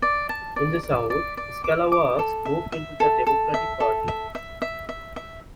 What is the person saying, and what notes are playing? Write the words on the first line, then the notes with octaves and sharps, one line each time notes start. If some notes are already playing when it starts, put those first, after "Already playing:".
In the South, Scalawags moved into the Democratic Party.
D5
A5
D5
D5
D5
D5
D6
D6
A4
E5
E5
A4
A4
E5
A4
E5
E5
E5
E5
E5